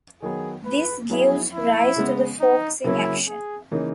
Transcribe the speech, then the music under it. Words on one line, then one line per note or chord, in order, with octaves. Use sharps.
This gives rise to the focusing action.
D#3 F#3 B3 G#4
B4
F#3 B3 E4 G#4
E4
C#3 G#3 B3
D#4
C#3 F#3 A#3 C#4 E4
G#4
C#3 E3 A#3 D#4